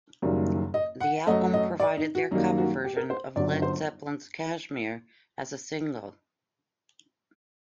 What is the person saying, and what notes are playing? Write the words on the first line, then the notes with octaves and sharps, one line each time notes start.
The album provided their cover version of Led Zeppelin's "Kashmir" as a single.
F#1 F#2 D#3 G3 A#3
D#5
F#5
F#2 F#3 A3 D#5
D#5
D5
D#4
F#4
F#2 D#3 G3 A#3 D#4
F#4
G4
A#4
C5
G1 F#2 D3 D5
C5